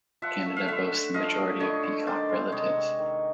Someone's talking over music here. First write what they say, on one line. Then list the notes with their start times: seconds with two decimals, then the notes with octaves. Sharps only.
Canada boasts the majority of Peacock relatives.
0.22 F3 E5 F#5
0.46 A3
0.56 F5
0.68 D3 E5 F#5
0.92 D3
1.14 F3 D#5 F5
1.37 A3
1.60 D3 C#5 D#5
1.83 D3
2.06 D#3 C5 D5
2.29 G#3
2.51 C3 C#5 D#5
2.75 C3
2.99 D#3